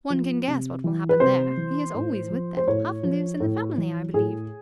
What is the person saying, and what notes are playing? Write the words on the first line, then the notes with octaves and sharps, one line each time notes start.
One can guess what will happen there. He is always with them; half lives in the family, I believe.
F3
C3
E3
B4
C3 C5
E3
A2
F3
C5
A2 C#5
F3
A2
E3
A2 G#4